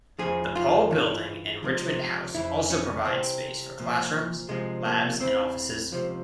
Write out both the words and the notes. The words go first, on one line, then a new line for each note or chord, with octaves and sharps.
The Paul Building and Richmond House also provide space for classrooms, labs and offices.
E2 C#3 F3 G#4
F4
G2 E3
C#2 C3 F3
F2 C#3 E3 E4
C#4
C2 C3 E3 C4
C2 A#2 F3
C2 C3 F3 G#3
A#3
E2 C#3 E3 C4
C#2 C3 F3